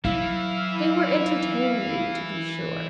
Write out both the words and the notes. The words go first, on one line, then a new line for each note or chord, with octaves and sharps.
They were entertaining you, to be sure.
E3 F#3 E4 F5